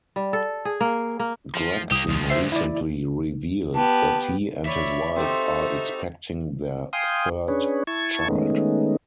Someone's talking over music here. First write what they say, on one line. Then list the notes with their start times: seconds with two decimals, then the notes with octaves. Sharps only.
Gregson recently revealed that he and his wife are expecting their third child.
0.16 G3
0.33 A4
0.65 G#4
0.81 A#3
1.19 A#3
1.55 F3
1.91 C2 A#3 G4 D#6
2.08 D2 F3
2.30 C5 E5 C7
2.52 E4 D5
3.75 B3 G4 A5
4.65 C#5 D5 E5 B5
5.16 C4 D#4 F#4 G4 A4
6.93 F5 G5 G#5 C6 D#6
7.48 C#4 D4 G#4 B4 C#5
7.87 E4 A5 C#6 G#6
8.28 D#3 G#3 A3 B3 C#4 D#4